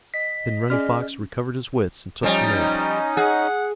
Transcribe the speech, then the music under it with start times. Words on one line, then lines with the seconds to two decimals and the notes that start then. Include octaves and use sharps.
Then Running Fox recovered his wits, and took command.
0.14 D#5 B6
0.70 C#4 G#4 D5 F6
2.23 F3 G3 C#4 D#4
3.17 G#4 F#5